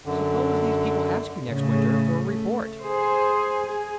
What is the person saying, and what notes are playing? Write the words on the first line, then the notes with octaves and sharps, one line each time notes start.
"Suppose these people ask you next winter for a report?"
F#2 D3
A2 C#3 A3
A3
G#4 C5
G#4